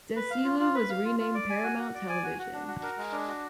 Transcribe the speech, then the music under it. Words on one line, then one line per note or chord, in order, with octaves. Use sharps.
Desilu was renamed Paramount Television.
B4
F5
F4
F4
B4
F5
F4
F4
D5
G#5
F#4
F#4
D5
G#5
F#4
F#4
D4
F#4
A#4
G#3
D4
F#4